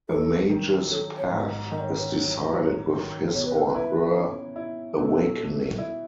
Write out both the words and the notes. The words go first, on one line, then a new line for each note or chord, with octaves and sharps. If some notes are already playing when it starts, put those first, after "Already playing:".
A Mage's Path is decided with his or her awakening.
F#3 A4
D#3
F#3 A4
C#5
G#2
D#5
D#3 D#5
C#5
B4
C#5
F#3
F#3
D#3
B2 C#5
B4
A4
B4
E4
C#4
E4
B2 A4
B2
E4